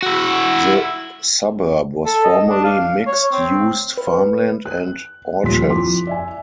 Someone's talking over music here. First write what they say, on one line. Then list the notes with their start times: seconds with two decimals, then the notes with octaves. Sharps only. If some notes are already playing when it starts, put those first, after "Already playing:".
The suburb was formerly mixed used farmland and orchards.
0.03 E4 F#4
2.06 A4
2.24 D#5
2.49 D4
2.64 F5
3.07 C#5
3.32 C4
3.97 B4
4.66 F#6
5.43 D#1 F2 G4 C6 B6
5.70 F2 E4 C6 D6
6.07 D5 E5 G#5